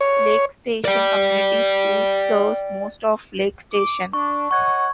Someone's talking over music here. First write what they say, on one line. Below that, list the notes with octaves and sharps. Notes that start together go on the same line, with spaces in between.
Lake Station Community Schools serves most of Lake Station.
C#5
D5 G5
D6
D4 C#6
C#5 D#5 F#5 C#6 G#6